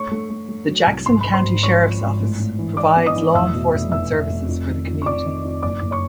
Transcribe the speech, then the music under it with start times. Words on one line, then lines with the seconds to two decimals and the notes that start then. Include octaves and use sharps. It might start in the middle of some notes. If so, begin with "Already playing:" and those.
The Jackson County Sheriff's Office provides law enforcement services for the community.
Already playing: A3 C#5 C#6
0.11 A3
0.30 A3
0.49 A3
0.68 F#3
0.87 C2
1.06 G#1 C6
1.21 G#1 B5
1.34 C5 C6
1.44 G#1
1.63 G#1 C#5 C#6
1.83 F3
2.01 G#1
2.20 A2
2.40 A2
2.59 E3
2.77 E3 D5 D6
2.97 B3
3.06 D#5 D#6
3.16 E3
3.34 F1 E5 E6
3.54 B2
3.73 F1
3.91 E2 E5 E6
4.11 F1
4.29 F1
4.49 F2
4.68 D#3
4.87 F2
5.02 C#6
5.05 F2 D5 D6
5.25 D#3
5.45 F2
5.63 F#1 D5 D6
5.82 F#1
5.91 C#5 C#6